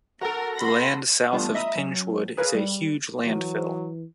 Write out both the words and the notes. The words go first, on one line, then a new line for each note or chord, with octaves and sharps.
The land south of Pingewood is a huge landfill.
F#4 A4 A#4
B5 C6 A#6
E3 G3 A3 B3 D4 F4
D#5 E5 A#5 B5 D#6
F#3 C#4
G#4 A#4 B4 C#5 F5
G3
E3 F#3